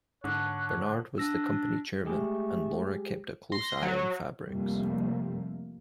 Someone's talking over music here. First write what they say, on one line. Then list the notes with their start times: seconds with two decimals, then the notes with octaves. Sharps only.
Bernard was the company chairman and Laura kept a close eye on fabrics.
0.24 G#2 D3 C#5 A5 F#6
1.18 D4 E6 A#6
2.05 G#3 A3 G4 G#4
3.52 C6 A#6
3.82 F#3
4.49 F2 C3 G3 A3 A#3